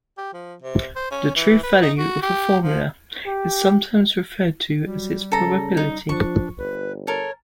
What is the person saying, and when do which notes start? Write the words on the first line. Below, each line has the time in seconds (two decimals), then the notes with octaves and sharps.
The truth value of a formula is sometimes referred to as its probability.
0.18 G4
0.33 F3
0.62 C3
0.96 C5
1.11 C#4
1.36 E3
1.63 B4
1.82 D#4
1.98 F#4
2.23 G4
2.63 F3
3.25 G4
4.85 F#3 G3
5.32 C#3 A4 A#5
5.77 D#4
6.09 F3 D4 C#6
6.58 G1 B4
7.07 A4 A#4 C#5